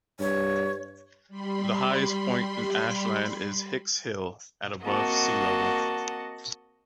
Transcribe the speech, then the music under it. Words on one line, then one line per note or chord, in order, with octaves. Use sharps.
The highest point in Ashland is Hicks Hill, at above sea level.
G2 C#5
G3 B5 C6
A#3 C4 F#4 D#5 F#5 A5